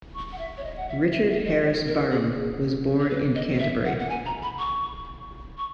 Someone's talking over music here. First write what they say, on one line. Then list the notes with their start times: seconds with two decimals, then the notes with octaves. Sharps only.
Richard Harris Barham was born in Canterbury.
0.14 C#6
0.32 F#5
0.38 E5
0.57 C#5
0.64 D#5
0.77 F#5
0.89 E5
1.14 E5
1.29 E5
1.45 D#5
1.62 C#5
1.87 A#4
2.11 G#4
3.00 C#5
3.10 B4
3.35 D#5
3.60 E5
3.85 F#5
3.99 F#5
4.09 G#5
4.26 A#5
4.43 B5
4.58 C#6
5.58 C#6